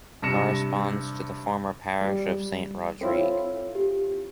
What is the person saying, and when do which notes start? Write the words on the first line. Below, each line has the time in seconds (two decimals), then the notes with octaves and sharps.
Corresponds to the former parish of Saint-Rodrigue.
0.22 G2 C3 A#6 C#7 E7
2.01 G3
3.01 C4 E4 F4 A4 C#5
3.75 G4